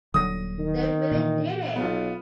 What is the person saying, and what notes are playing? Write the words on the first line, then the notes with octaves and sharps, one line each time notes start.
They really did it.
D#1 D3 F#3 D#6 A#6
D#3
A#2 E3
B1 B3 F4